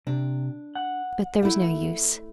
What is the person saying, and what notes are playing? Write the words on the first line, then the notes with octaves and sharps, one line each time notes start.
But there was no use.
C3 D4
F#5
A3 E4